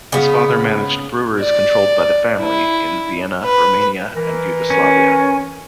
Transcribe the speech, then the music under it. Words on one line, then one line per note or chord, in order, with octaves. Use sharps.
His father managed breweries controlled by the family in Vienna, Romania, and Yugoslavia.
C#3 B3
D5
E4
B4
E3 A#4
C#4